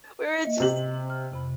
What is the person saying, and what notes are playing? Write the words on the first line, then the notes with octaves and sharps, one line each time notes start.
we were just
A#3 D#5 E5
C3 F#7
F6
F2 C3 B5